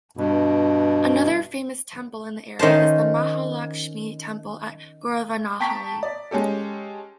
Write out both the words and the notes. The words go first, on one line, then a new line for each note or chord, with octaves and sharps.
Another famous temple in the area is the Mahalakshmi Temple at Goravanahalli.
G2 B2
D#3 C#4 C5 A5
G5 A5 A#5 C#6 B6
D5
G#3 C#4 G4 A4